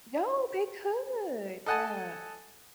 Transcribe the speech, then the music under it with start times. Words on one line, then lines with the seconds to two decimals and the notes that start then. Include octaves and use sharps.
Yo, they could. Yeah.
1.66 A4 D#5 F#5 G#5 A5